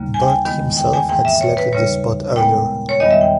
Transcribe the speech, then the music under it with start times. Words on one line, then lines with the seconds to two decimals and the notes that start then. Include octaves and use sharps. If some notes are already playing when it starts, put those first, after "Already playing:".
Butt himself had selected the spot earlier.
Already playing: D#2 C#3 G3 A#3
0.14 G#5
0.22 G5
0.28 G#5
0.45 E2 D#3 G#3 B3
0.77 G5
0.93 G#5
1.09 G#2 E3 A#3 G5
1.25 E5
1.41 C#5
1.57 B4
1.73 D#2 C#3 G3 C#5
2.36 A#2 G#3 B3 G5
2.89 C#5
3.00 E2 D#3 G3 B3 D#5
3.11 E5
3.21 G5